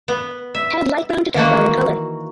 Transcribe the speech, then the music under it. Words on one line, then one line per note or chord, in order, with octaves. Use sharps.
Head light brown to dark brown in color.
B3
E5
D#3 E3 A#3 F#4